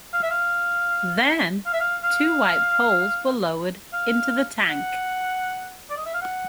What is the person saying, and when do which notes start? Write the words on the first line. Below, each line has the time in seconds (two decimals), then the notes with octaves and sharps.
Then, two white poles were lowered into the tank.
0.13 F5
0.23 E5
0.31 F5
1.66 F5
1.73 E5
1.80 F5
2.03 F5
3.93 F5
4.69 F#5
5.90 D5
5.97 D#5
6.06 E5
6.14 F5
6.22 F#5